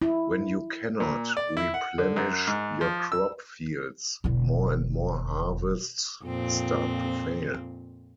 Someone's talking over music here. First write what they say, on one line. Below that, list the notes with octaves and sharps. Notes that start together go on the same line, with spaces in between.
When you cannot replenish your crop fields, more and more harvests start to fail.
E4
A#2
D5
E4
F#5
D3
F#2
G#2
F3
E6
E1 D3
F2 A#2 C4